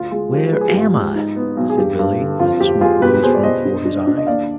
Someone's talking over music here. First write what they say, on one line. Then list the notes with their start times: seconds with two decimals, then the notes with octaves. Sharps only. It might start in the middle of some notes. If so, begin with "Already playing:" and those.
"Where am I?" said Billy, as the smoke rose from before his eye.
Already playing: D2 F4
0.11 G#3 F4
0.32 F3 G4
0.53 G#3 B4
0.61 G#4
0.69 G4
0.73 G#1 F4 G#4
0.94 G#2
1.15 D#4
1.36 B3
1.57 B1
1.70 G#4
1.78 G2 G4
1.99 G2
2.19 D3
2.39 F2 F4
2.60 F2 G4
2.81 G#3 F4 G#4
3.02 B2 G4 B4
3.14 B4
3.23 B2 G#4 C5
3.35 D5
3.43 B2 C5 D#5
3.65 D4
3.85 D4
4.07 D4
4.18 D#5
4.27 D#2 D5 F5